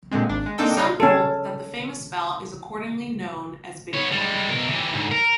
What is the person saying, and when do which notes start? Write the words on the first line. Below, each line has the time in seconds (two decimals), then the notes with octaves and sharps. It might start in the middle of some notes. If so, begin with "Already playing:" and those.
Some hold that the famous bell is accordingly known as 'Big Ben'.
0.11 A#2 D3 G#3 C4
0.29 G#1 D4
0.46 G#3
0.58 A#3 C4 D4 D#4 A4 G5
0.77 G3 C#5 D#5 F5
1.00 C#4 A4
3.93 B3 C#5
4.11 G3 G#3
4.49 B2 A#4
4.68 E3 G4
4.93 D2 G#2
5.11 A#4